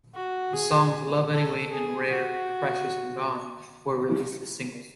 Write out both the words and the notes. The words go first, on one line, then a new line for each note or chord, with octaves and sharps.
The songs "Love Anyway" and "Rare, Precious and Gone" were released as singles.
F#4
G#4
A4
G#4
F#4